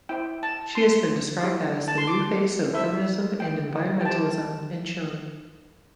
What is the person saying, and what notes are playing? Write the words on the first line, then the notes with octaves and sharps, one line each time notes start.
She has been described as "the new face of feminism and environmentalism" in Chile.
E4 C5 G5
A5
C6
E4 G4 C5
A5
C6
D6
E4 A4 C5 E5
G5
G5
E4 G4 C5 A5